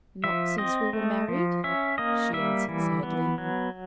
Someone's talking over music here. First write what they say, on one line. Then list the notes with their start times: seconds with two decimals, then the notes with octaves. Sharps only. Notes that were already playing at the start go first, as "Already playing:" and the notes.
"Not since we were married," she answered, sadly.
0.24 F3 E5
0.58 C4 D#5
0.93 A3
1.28 F3
1.64 C#4 E5
1.98 A#3 D#5
2.33 G3 E5
2.68 E3
3.03 B3
3.38 F#3